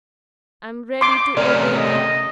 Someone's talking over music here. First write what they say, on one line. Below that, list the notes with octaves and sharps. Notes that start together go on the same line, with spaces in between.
I am ready to obey thee.
C6 D6
C3 A3 C#4 A#4 D5
D#5